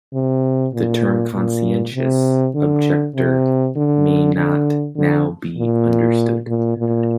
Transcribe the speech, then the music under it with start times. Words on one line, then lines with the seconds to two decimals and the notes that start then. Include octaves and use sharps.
The term conscientious objector may not now be understood.
0.14 C3
0.74 A#2
1.34 A#2
1.94 C3
2.55 D3
3.15 C3
3.76 D3
4.36 D3
4.96 D3
5.57 A#2
6.47 A#2
6.78 A#2